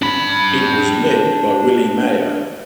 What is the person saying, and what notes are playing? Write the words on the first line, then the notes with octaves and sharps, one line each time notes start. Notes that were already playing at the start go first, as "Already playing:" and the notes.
It was led by Willie Meyer.
D4 B5